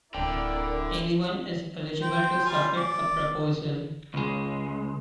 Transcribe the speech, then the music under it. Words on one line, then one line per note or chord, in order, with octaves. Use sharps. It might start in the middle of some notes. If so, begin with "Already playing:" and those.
Anyone is eligible to submit a proposal.
D1 D3 C4 E4 A#4 D5 G5
C5 G5
G3 F4 G#5
D5
C#2 G#3